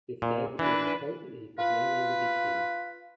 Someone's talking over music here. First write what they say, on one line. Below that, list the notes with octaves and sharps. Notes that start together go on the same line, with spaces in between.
If David was impotent he could no longer be king.
A#2
E3 D4 B4
F4 B4